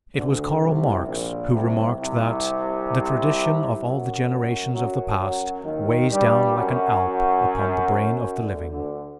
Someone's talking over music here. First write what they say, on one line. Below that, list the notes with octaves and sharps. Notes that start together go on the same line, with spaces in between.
It was Karl Marx who remarked that, "The tradition of all the generations of the past weighs down like an Alp upon the brain of the living."
D2 D3
C2 C3
A#1 A#2
C2 C3
C2 C3
F#2 F#3
F#2 F#3
F#2 F#3
D#2 D#3
G2 G3
F#2 F#3
D2 D3
D2 D3